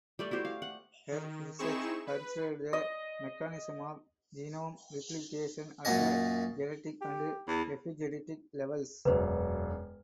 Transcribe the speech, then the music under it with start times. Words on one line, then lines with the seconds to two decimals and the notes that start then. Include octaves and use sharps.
Her research considered the mechanisms of genome replication at the genetic and epigenetic levels.
0.19 G3 A3 D5
0.31 E4 F#4 G4 C5
0.45 F5
0.62 F#5
1.12 D#3
1.58 C4 D#4 E4 G#4 C#6 E7
2.07 B4
2.73 D#5
5.85 F#2 A#2 C#4 D#5
7.01 G4
7.48 E2
9.05 E1 F#2 B4 C5